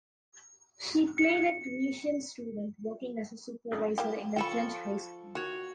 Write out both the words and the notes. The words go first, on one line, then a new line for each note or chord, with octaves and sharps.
He played a Tunisian student working as a supervisor in a French high school.
C#7
A#3 E4 G4
F3 A4 G5 B5 C#6
D#3 F#4 C#5